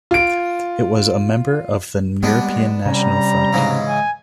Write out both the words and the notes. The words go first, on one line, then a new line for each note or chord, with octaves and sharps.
It was a member of the European National Front.
F4 D7
G3 G#3 A#3 B3 D4
C3 G3 C#4 A#5
G#2 C#3 E3
G#5